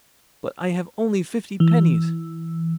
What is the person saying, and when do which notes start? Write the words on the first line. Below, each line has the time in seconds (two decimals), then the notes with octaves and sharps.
But I have only fifty pennies.
1.60 E3